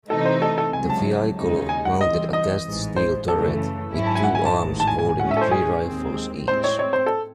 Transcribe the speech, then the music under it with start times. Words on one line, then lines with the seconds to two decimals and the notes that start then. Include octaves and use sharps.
The vehicle mounted a cast steel turret with two arms holding three rifles each.
0.09 C3 E3 A3 D#4 A4
0.25 C5
0.42 A4
0.58 A4
0.73 C#2 C3 F#3 G#5
0.90 A5
1.37 D#2 C#3 G#3 D#4
1.69 G#5
1.85 F#5
2.01 C2 C3 E3 C4 D#5
2.33 D#5
2.65 A1 G#2 E3 G#3
2.96 C5
3.28 F#2 C#3 E3 A3 A4
3.92 G#1 G#2 F#3 C#4 E4
4.06 A5
4.15 G#5
4.24 F#5
4.35 G#5
4.46 A5
4.56 A1 G#2 D#3
4.80 A5
4.87 G#5
4.99 G#5
5.09 G#5
5.20 A2 G#3 C#4 F#5
5.31 E5
5.37 A4
5.41 C5
5.51 G#4
5.83 D#2 D#3 G#3 C4
6.47 A2 G#3 C4 C5
6.64 C#5
6.79 C#5
6.93 C5
7.06 A4